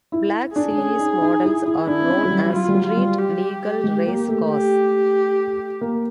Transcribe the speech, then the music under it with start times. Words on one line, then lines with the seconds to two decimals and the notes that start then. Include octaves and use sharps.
Black Series models are known as street legal race cars.
0.12 E4
0.56 D4 G#4
0.70 D4
0.78 C#4
0.99 D#4
1.21 D#4
1.44 E4
1.66 E4
1.87 D4 E4
2.02 C4
2.09 C#4
2.25 F#3
2.31 G3
2.53 F#3 F4
2.68 G3
2.75 F#3
2.86 F4
2.97 G3
3.18 G4
3.84 G#3
4.07 A#3
4.29 A3
4.50 G4
5.81 A#3